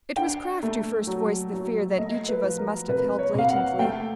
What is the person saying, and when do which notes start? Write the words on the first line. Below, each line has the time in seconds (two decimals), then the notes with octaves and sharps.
It was Kraft who first voiced the fear that each of us must have held latently.
0.16 D4 G5
0.63 A3
1.07 F#3
1.53 F#3
1.98 A3 D#5
2.29 B4
2.43 F3
2.58 A#4
2.88 C3 B4
3.19 C#5
3.34 C3 F5
3.49 F#5
3.79 A3 G5